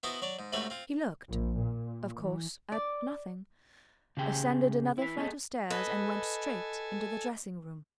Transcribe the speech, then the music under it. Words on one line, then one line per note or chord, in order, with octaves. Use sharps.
He looked, of course, at nothing, ascended another flight of stairs and went straight into the dressing room.
B3 E4 F#4 C5 D#5 A5
F#3 C#5 D5
G#2
G#2 C3 A3 F#4 B4 C#5
C4 F4
A#1
A#2
E3
D5
C#3 G4 G#4 G5
E4 B4
B3 G#4 A4 D#5
A4 B4 D#5 G#5